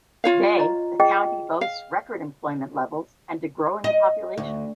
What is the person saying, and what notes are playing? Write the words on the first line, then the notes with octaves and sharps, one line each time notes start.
Today, the county boasts record employment levels and a growing population.
F4 C#5 F5
D#5 A#5
G#4 D#5 G5
F5
D#5
D2